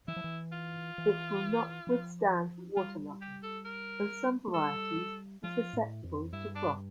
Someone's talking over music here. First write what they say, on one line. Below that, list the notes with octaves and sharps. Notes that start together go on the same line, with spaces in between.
It will not withstand waterlogging and some varieties are susceptible to frost.
E3 E4
F3
E3
F4
E3
F3
G3 F4
G4
A4
A#4
A3
G3 A4
F3 F4
A2
F2
G2 E4
D4